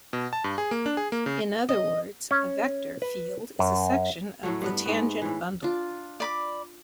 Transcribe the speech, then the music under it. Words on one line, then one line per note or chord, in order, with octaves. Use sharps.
In other words, a vector field is a section of the tangent bundle.
B2
A5
G2
G#4
A#3
D4
G#4
A#3
C#3
D#5
C#4
B4
F#2
A2 F#3 A3
G2 B3 B4
G#2 B3
A2 E3
D4 F4
D5 B5 D6